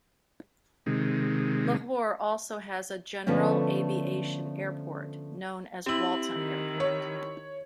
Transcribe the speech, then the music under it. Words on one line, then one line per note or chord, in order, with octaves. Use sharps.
Lahore also has a general aviation airport known as Walton Airport.
C3 D#3 G#3
D3 F3 A3 B3 C#4
C4 E4 G4 F#7
D#3
C#5